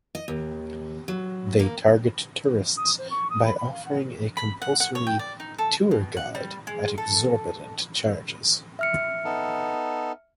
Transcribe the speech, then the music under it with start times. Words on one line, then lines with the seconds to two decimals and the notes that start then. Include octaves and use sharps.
They target tourists by offering a compulsory "tour guide" at exorbitant charges.
0.15 D#5
0.28 D#2
1.08 F#3
1.59 A#3
2.77 D#6
2.98 C5
3.11 C#6
3.30 D#6
3.45 B5
3.58 B5
3.71 F5
3.86 F#5
4.37 B5
4.62 F#5
4.80 F#5
4.95 C#5
5.07 G5
5.19 D5
5.40 D#4
5.58 A4
5.91 B2
6.17 F#5
6.35 G3
6.67 G#3
6.98 A4
8.79 E5 F6 C#7
9.25 B3 D#4 A4